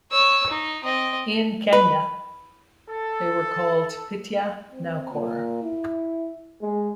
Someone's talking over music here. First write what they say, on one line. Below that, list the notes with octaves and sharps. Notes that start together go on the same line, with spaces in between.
In Quenya they were called "Pitya-naukor".
C#5 E6
D#4
C4 D#5
B4
A4
C4
A#2
E4
G#3